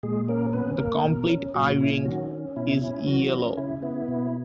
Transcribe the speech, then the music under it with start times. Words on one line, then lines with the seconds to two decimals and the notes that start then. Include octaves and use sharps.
The complete eye-ring is yellow.
0.03 A#2 G#3 G#4
0.28 A#3 C#4 A#4
0.53 B3 C#4 B4
0.78 A#3 A#4
1.04 B2
1.29 C#4
1.55 A#2 F#3 F#4
1.80 C#4 E4
2.05 D#3 F#3 F#4
2.31 C#4
2.56 B2 E4
2.82 C#4 E4
3.07 E3 F#3 F#4
3.32 C#4
3.57 C#3 E4
3.82 B3 E4
4.08 B2